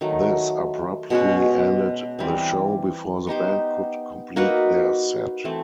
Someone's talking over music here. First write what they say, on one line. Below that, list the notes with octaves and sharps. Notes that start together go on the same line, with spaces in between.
This abruptly ended the show before the band could complete their set.
D#3 F#3 A3
B2 G#3 C#4 F#4
E3 G3 C4
B3 D#4 G4 C5
A#3 D#4 F#4 B4
E3 A3 C4